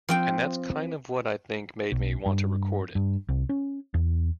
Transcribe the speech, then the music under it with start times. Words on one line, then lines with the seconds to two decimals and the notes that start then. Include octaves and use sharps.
And that's kind of what I think made me want to record it.
0.09 F3 C4 G5
1.92 B1
2.26 G2
2.95 G2
3.29 C2
3.49 C#4
3.94 E2